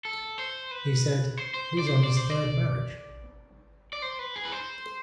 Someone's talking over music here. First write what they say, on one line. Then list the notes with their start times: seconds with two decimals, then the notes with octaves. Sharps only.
He said, He's on his third marriage.
0.05 A4
0.38 C5
0.71 B4
1.37 C5
1.54 C5
1.79 D5
1.87 C5
2.04 D5
2.17 C5
2.30 D5
3.93 D5
4.02 C5
4.19 B4
4.36 G#4
4.45 B4
4.52 C5